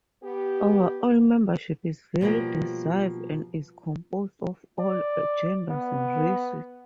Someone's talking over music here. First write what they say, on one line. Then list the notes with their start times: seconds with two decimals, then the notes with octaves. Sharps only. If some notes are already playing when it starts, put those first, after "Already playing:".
Overall, membership is very diverse and is composed of all genders and races.
0.23 B3 G4
2.21 B2 F3 G3 A#3
4.79 D5
5.70 B3